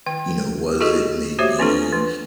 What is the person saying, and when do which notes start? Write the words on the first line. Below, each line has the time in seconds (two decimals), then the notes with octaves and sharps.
You know, was it maybe,
0.06 D#3 G5
0.80 F4 F#4 G#4 A4 D#5
1.39 F#4 G4 C5 C#5 E5
1.59 E3 C4 D4 F4 A4
1.93 E3